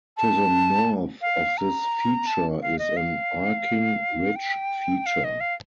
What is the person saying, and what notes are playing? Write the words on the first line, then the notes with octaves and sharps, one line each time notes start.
To the north of this feature is an arcing ridge feature.
A5
F5
A#5
A5
F5
D#5
F5
G5
F5
D#5
F5